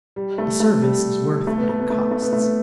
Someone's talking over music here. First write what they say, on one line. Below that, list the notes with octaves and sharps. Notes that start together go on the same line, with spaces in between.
A service is worth what it costs.
G3
A3
A3
G3
A3
B3
A3
B3
A3
B3
A3
B3
A3
B3